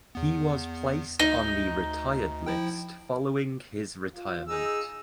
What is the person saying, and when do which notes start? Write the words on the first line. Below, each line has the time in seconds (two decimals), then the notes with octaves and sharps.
He was placed on the retired list following his retirement.
0.15 E2 B3
1.19 D2 D#4
2.46 F3 E4 G5
4.14 F4
4.48 D#4 G#4 E6